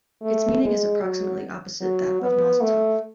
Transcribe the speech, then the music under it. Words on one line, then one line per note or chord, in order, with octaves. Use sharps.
Its meaning is approximately opposite that of mazel tov.
A3
G#3
F#3
F#3
B3
A3